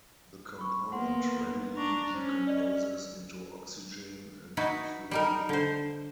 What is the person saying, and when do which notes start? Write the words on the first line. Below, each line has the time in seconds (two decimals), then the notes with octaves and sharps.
The compound readily decomposes into oxygen and fluorine.
0.58 B5 C#6
0.92 A#3 B3 F#5 C6
1.77 D4 A#5 C#6
2.15 C#4 C5
2.47 D5 D#5
4.57 D#4 E4 F#4 B4
5.11 G3 D#4 A#4
5.49 D3 C5